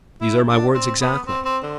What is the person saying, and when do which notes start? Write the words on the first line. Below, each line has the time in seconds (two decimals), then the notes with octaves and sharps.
"These are my words exactly."
0.21 E4
0.48 D4
0.74 C4
1.01 B3
1.28 C4
1.45 C4
1.63 D3